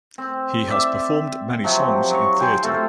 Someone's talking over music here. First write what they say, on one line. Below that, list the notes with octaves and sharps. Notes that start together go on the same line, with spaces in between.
He has performed many songs in theatre.
C4
D5 E5
C3 F3 F#3
F#3 C#5 C#6
C5 G5 G#5 C6
A3 C4 F4